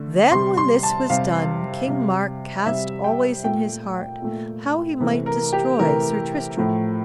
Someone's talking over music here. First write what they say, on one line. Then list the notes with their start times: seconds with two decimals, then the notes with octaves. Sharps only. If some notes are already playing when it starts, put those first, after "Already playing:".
THEN when this was done King Mark cast always in his heart how he might destroy Sir Tristram.
Already playing: D3 A3
0.31 C3 G3 C6
0.57 C6
0.83 A5
1.10 C3 G3 F5
1.88 C3 G3
2.66 C3 G3 E5
3.04 G5
3.44 A#2 A3 G5
4.22 A#2 A3
5.00 C3 E3 A3
5.26 A#4
5.53 G4
5.78 C3 E3 A3 A#4
6.57 A2 F3 A3